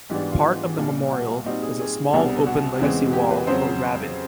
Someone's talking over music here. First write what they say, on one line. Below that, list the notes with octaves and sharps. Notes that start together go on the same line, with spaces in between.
Part of the memorial is a small, open legacy wall for Rabin.
G#2 E3 G3 B3 D4 G4
F#4
F4
C2 A#2 G3
F#4
A#2 G3 C4 D#4 F#4
G#4
G#4
C2 B2 G3 B3 D4
F#4
E2 C#3 E3 G#3 C4
G4
B4
F2 C#3 F#3 C5